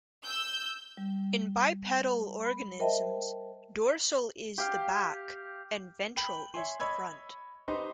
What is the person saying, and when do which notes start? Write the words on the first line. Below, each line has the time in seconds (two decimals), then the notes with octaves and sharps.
In bipedal organisms dorsal is the back and ventral is the front.
0.24 E6 G6
0.97 G3
2.45 B5
2.80 A#4 C5 D#5 E5 G5 A5
4.58 G4 F5
6.17 G5 B5 G6 F#7
6.54 C#5 E5 G#5 C6
6.80 C#5 D#5 B5 E6 G#6
7.68 D#4 G4 B4 C5 D#5 C6